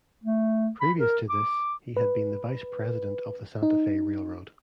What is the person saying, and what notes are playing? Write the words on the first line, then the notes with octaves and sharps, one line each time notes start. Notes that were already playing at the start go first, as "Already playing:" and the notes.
Previous to this, he had been vice president of the Santa Fe Railroad.
A3
B5
A#4
D6
B4
D#4